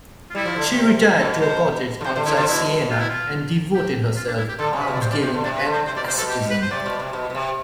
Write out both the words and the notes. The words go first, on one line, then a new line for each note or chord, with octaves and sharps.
She retired to a cottage outside Siena and devoted herself to almsgiving and asceticism.
F4
G3 E4
F3
D3
C3
G4
B2 A4
C5
D3
C3 C5
D3 C5
D3 E4
D3 D4
B2 E4
F4
E4
F4
G4
F4
D4
E4
G4
D3 A4
C3
B4
B2
D5
C3 C5
B2 D5
C3 C5
D3
C3 D4
B4
D3
C5
C3 C5
B2 D5
C3 C5
B2 A4
G4
B4
C5
C3 D5
B2
C3
B2
B2
C3